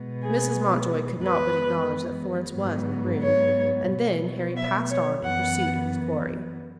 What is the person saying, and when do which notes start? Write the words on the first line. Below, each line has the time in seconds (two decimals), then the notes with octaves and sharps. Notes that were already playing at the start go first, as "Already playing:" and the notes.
Mrs. Mountjoy could not but acknowledge that Florence was in the room, and then Harry passed on in pursuit of his quarry.
Already playing: B2 G#3 B3
0.21 G#4
1.22 F#2 E3 G#3 B3 B4
2.55 G#2 F#3 B3
3.22 C#5
3.89 B2 F#3 B3
4.56 E5
4.90 C#5
5.23 F#2 E3 B3 F#5